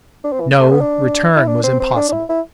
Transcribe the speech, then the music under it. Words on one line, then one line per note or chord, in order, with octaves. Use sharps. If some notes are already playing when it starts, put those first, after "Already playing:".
No; return was impossible.
D4
C4
E3
A3
B3
D4
E4
D4
C4
C4
D4
D4
E4
E4